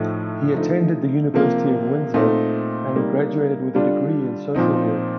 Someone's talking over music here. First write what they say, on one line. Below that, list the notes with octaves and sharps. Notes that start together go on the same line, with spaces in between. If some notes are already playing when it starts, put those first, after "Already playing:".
He attended the University of Windsor and graduated with a degree in social work.
Already playing: A2 F3 A3 D#4
D3 F3 A3 D#4
C3 F3 A#3 F4
A#2 A3 C4 D#4
C3 G3 A#3 D#4
D3 G3 D4 F4
A#2 F3 C4 D#4